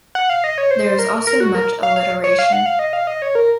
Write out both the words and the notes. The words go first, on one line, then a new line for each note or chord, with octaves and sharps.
There is also much alliteration.
F#5
F5
D#5
C#5
C5
A#4
A#4
F#4
A#4
F5
F5
C#5
F5
F#5
F5
D#5
F5
D#5
C#5
A#4